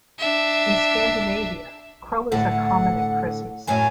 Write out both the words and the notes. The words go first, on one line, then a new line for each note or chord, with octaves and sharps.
In Scandinavia crullers are common at Christmas.
D4 E5
A2 D3 F#5
F#2 A2 F#3 G#5